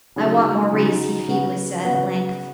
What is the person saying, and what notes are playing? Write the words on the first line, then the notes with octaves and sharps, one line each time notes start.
"I want Maurice," he feebly said, at length.
C#3 F#3 D#4 G#4
C#3 F#3 D#4 G#4
C#3 B3 F#4
C#3 B3 F#4